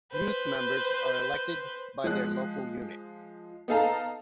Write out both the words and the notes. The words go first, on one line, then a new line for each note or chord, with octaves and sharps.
Youth members are elected by their local unit.
B4 C5
F3 G#3 F#6
B3 D#4 A4 F5 A5 A#5